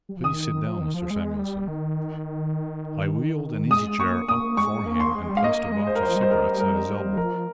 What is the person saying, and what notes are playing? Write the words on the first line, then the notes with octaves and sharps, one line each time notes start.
"Please sit down, Mr. Samuelson." I wheeled an easy-chair up for him and placed a box of cigarettes at his elbow.
G3
F3
D#3 D#6
F3
D#3
F3
G#3
G3
D#3
G#3 D#6
A#3 C#6
A#3 D#6
G#3 C#6
A#3
C6
G#3
G3
G#3 F5
A#3 D#5
G#3
C5
A#4
G3 C5
F3
G3
C5
A#4
A#4
F3 A#4